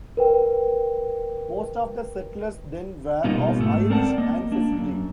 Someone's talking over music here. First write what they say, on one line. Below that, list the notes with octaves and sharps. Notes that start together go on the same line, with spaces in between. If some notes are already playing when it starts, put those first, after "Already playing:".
Most of the settlers then were of Irish ancestry.
A#4 B4 G5
B2 G3 A#3 B3 D#4 F4
G#2 A3
C4 A#4 D5 F#5 A5
A#3 D#5
A#3 D4
F#2